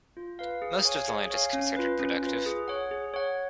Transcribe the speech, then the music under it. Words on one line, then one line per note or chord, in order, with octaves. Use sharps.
Most of the land is considered productive.
F4
B4 F5
G#4
C#5 F5 G#5
G#4
C#5 F5 G#5
C#4
F4 B4
C#4
F4 B4
G#4
C#5 F#5
G#4
C#5 F#5